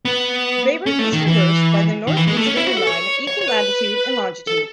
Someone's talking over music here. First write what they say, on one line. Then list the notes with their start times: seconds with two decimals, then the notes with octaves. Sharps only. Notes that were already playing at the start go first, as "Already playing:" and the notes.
Bayburt is traversed by the northeasterly line of equal latitude and longitude.
0.05 B3
0.86 C#4
0.99 A3
1.13 D#3
1.27 E3
2.07 D#3
2.17 E3
2.27 G#3
2.37 A3
2.46 C#4
2.57 E4
2.67 F#4
2.77 A4
2.87 C#5
3.27 C#5
3.41 C#5
3.48 B4
4.47 A4